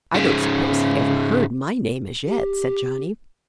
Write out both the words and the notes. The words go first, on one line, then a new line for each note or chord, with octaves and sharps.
"I don't suppose he ever heard my name as yet," said Johnny.
G#2 C#3
G4